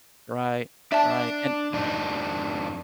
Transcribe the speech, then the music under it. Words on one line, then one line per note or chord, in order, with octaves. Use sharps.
Right, right, and Yeah.
D4 D5 E5 A5
F2 D4 D#4